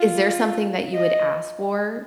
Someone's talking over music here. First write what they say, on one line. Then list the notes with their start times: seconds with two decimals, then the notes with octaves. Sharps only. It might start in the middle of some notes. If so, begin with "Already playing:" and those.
is there something that you would ask for,
Already playing: F4
0.94 D#5